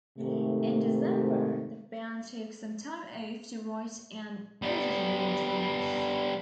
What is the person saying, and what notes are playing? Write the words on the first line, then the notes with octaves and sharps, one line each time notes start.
In December, the band took some time off to write and audition new drummers.
G#2 C3 D#3 A3
G3 B3